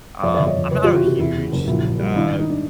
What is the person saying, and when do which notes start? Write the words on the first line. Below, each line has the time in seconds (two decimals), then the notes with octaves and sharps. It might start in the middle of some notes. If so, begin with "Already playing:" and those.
um, I'm not a huge, t uh
0.23 F2 D5 E5
0.35 D5 E5
0.39 G1
0.47 C#5 D#5
0.56 F2
0.71 F#1 B4 C#5
0.83 F4 G4
0.87 E3
0.95 E4 F#4
1.03 C3 F4 G4
1.19 E2 E4 F#4
1.35 C#3
1.52 F#1
1.67 A#1 E4 F#4
1.84 A#1
1.99 G3
2.15 D#3 D4 E4
2.31 G#1
2.39 D#4
2.50 D4